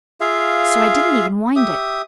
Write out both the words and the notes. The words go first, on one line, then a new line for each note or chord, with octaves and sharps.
So I didn't even wind it.
F4 G#4 E5 F5
G4 E5 D#6